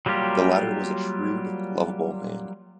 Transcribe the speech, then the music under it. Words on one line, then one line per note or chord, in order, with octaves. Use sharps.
The latter was a shrewd, lovable man.
F#3 G3 A#3 F4 G4